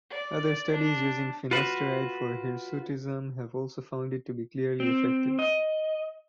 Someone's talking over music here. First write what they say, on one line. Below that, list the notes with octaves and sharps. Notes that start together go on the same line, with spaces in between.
Other studies using finasteride for hirsutism have also found it to be clearly effective.
D5
D4
F4 F#4 B4
C4
D#5